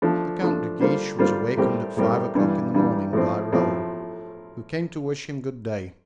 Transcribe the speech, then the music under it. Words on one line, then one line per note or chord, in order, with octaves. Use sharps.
The Count de Guiche was awakened at five o'clock in the morning by Raoul, who came to wish him good-day.
F3 A3 D4
F3 A3 D4
D3 G3 A#3 F4 C5
D3 G3 A#3 F4 C5
A2 G3 C4 G4 A#4
A2 G3 C4 G4 A#4
G2 E3 G3
G2 E3 G3
A2 F3 C4
A2 F3 C4